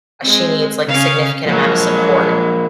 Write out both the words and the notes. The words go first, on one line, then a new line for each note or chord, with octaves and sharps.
uh, she needs, like, a significant amount of support,
G#3 C4
C#3 C#4 F5
F3 F#3 G#3 A#3